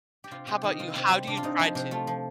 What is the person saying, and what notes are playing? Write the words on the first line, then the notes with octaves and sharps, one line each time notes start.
How 'bout you? How do you try to,
G4
C3 F4
C3 G4
D#3 D#4
C3 F4
C3 C4
G3
C3 D4
F4
C3 D#4
F3
C3
A3 F4
F3